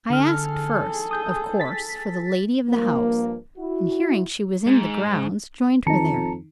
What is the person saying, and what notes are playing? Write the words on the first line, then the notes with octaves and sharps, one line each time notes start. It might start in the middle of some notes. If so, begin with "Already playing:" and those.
I asked first, of course, for the lady of the house, and hearing she was in the grounds, joined her there.
D3 G#4 A4 F6
D#6 G6
A6 B6
G2 F3 A#3
E4 F#4
G#2
F2 D#3 D#4 A5 A#5 C#7